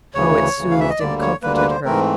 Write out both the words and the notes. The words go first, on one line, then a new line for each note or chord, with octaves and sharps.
How it soothed and comforted her.
D2 C#3 E3 C#5
D2 C#3 E3
F5
E5
D#5
D2 D3 G3 A#3 D5
C#5
D2 D3 G3 A#3 B4
B4
C5
G#2 E3 A3 C4 A#4